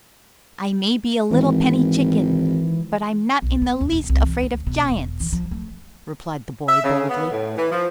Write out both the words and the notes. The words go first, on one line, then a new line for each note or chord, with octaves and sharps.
"I may be a little penny chicken, but I'm not in the least afraid of giants," replied the boy boldly.
G#1 E3
B1
B3
D#2
D#1
C2
E3
D2
B2
E1
E3
F3
A3
E5
C#3
B3
A2
E3
F3